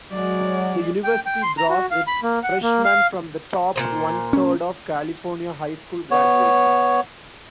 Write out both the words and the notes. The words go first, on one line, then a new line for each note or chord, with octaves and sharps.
The university draws its freshmen from the top one-third of California high school graduates.
F#3 G#3 D5
G5
G5
C6
A#5
F#4
F5
B5
A#3
F#5
A#3
F5
A#2 E3 C5
C#4
B3 C#5